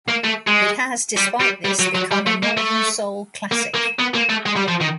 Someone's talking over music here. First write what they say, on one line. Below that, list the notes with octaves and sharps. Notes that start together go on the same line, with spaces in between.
It has, despite this, become a Northern Soul classic.
A#3
A3
G#3
G3
G3
G3
F#3
F#3
G3
A3
A#3
A3
A#3
A#3
B3
A#3
A3
G#3
G3
F3
D#3